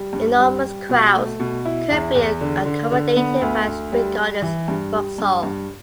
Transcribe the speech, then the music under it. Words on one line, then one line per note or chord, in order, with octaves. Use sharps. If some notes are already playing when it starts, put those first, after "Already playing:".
Enormous crowds could be accommodated at Spring Gardens, Vauxhall.
Already playing: G3
G2
G3
G3
B2
A3
B2
E4
E2
E2
D3
D3
D3
B3
D2
D2
G3
G3
E3
G2
G3
G2
G2